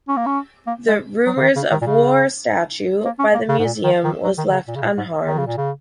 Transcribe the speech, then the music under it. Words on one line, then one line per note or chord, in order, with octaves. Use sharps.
The "Rumors of War" statue by the Museum was left unharmed.
C#4
A#3
C#4
A#3
G#3
F#3
C#3
D#3
C#3
D#3
A#2
C#3
A#3
C#4
A#3
C#3
G#2
A#2
D#3
D#3
F#3
D#3
D#3
C#3
A#2
C#3
A#2
G#2
D#3
C#3
A#2
C#3